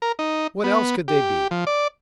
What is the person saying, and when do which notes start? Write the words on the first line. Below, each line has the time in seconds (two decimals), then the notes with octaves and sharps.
What else could they be?
0.02 A#4
0.19 D#4
0.64 B3
1.08 G4
1.51 F3
1.67 D5